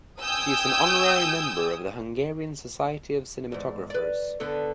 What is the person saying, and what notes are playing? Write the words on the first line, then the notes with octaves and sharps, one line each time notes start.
She is an Honorary Member of the Hungarian Society of Cinematographers.
G5 G#5 D#6 E6 G6
E2 G#2
B4 D5
D3 B3 A4